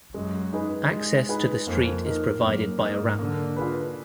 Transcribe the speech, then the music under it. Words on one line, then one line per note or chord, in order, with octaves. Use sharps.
Access to the street is provided by a ramp.
F#2 G#3
D#4 G#4 B4
G#3
D#4 G#4 B4
F2 A#3
D#4 A#4
F#2 A#3
G#2 D#4 A#4
D3 A#3
F4 G#4 B4